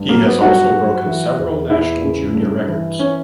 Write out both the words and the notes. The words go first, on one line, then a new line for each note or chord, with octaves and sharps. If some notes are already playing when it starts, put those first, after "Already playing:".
He has also broken several national junior records.
Already playing: G2
F#3 A#3
B3
G2 F#4
F#3
E3
E2
E2 E4
C#3
G2
E3
C#4